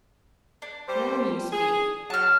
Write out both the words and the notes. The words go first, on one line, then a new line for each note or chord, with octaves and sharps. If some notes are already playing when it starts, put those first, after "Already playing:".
Now you speak.
D4
G3 G4 C5
G#4
F#3 A5 F6